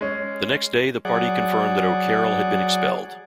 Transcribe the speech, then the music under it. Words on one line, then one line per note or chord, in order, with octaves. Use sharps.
The next day, the party confirmed that O'Carroll had been expelled.
G#3 C#4
F#3 G#4 D5 F#5